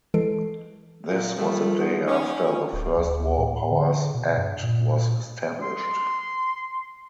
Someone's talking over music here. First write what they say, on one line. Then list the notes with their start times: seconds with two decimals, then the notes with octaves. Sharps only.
This was a day after the First War Powers Act was established.
0.14 E3 G#3 A4 C7 D7
1.08 A#2
1.36 F3 G3 A3 F4 A#4
1.78 D#4 F#5
2.08 C#4
2.43 F4 C#5
2.73 D1
2.98 D2
3.38 A2
3.71 D3
4.14 B2
4.37 G2
4.63 A#2
5.62 C6